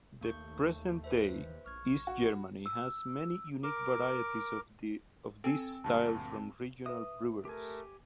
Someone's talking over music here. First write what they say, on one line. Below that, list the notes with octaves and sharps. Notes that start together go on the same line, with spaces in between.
The present-day East Germany has many unique varieties of this style from regional breweries.
D#2 A3 A#3 C#6 G6
B4 C5 E5
A#1 C#6 F6 G#6
F#4
E6
A#4 D6
C4 A4 G#5 E6
D2 G2 A#2 A5
B4 E5 D#6
A3 G4 A#4 G#5